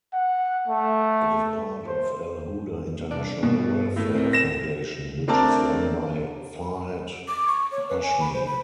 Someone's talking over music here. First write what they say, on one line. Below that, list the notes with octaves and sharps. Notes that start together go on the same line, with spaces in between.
It is part of Al-Huda International Welfare Foundation which is run by Farhat Hashmi.
F#5
A3
C5
C2 D4 D5
G2 B2
A2
C4 A#4
A#6 E7
A3 C4 D4 A#4 D5 A5
D6
C#6
C#5
B4
G#5
B5
C5
B5